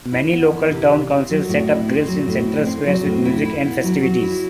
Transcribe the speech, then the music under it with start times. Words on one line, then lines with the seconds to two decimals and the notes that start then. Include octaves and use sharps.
Many local town councils set up grills in central squares with music and festivities.
0.12 E4
0.32 B3
0.52 E3
0.71 C3
0.90 E4
1.11 C4
1.30 F#3
1.49 A2
1.69 E4
1.88 C4
2.08 F#3
2.28 A2
2.47 E4
2.67 C4
2.86 F#3
3.05 A2
3.25 E4
3.45 E4
3.64 B3
3.84 F#3
4.03 F#3
4.23 E4